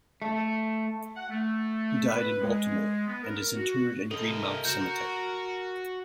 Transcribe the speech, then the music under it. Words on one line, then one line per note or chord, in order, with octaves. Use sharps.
He died in Baltimore, and is interred in Greenmount Cemetery.
A3
F#5
A3
B4
G#3
B3
A#4
F#4
C3 A4 A#4 D#5
F#4 G6 E7